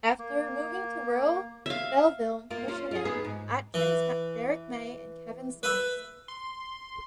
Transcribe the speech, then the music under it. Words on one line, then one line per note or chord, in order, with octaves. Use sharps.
After moving to rural Belleville, Michigan, Atkins met Derrick May and Kevin Saunderson.
A#3
E5 F5
A#3 F4
C#4 F4 C5
F4 G#4
D#3 B3 G#4
G#2
E3
B4 E5
C6